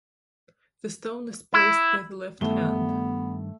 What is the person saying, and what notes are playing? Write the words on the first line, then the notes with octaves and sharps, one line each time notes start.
The stone is placed by the left hand.
E4
G2 D#3 A3 B3 G7